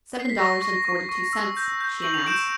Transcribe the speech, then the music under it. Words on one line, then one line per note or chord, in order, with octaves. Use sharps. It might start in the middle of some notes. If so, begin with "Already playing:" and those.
"Seven dollars and forty-two cents," she announced.
C7
B6
C#6 A#6
C#6
C#6
C#6
E6
G6
G6
C#6 F#7
F7
G6 D7 E7